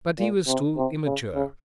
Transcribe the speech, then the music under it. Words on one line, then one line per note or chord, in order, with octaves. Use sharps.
But he was still immature.
A#2
C3
C3
C#3
C#3